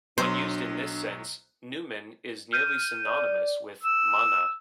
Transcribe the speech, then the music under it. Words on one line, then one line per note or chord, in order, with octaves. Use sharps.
When used in this sense, "numen" is nearly synonymous with "mana".
B1 F#3 D4 C5
F6 G6 D#7
D5
E6